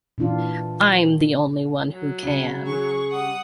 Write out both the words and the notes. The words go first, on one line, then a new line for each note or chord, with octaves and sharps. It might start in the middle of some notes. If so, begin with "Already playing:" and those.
I'm the only one who can.
A#2 E3 D4 F4
F#3
C#3 C#7
G#4 C#6
G3 F#5 D#6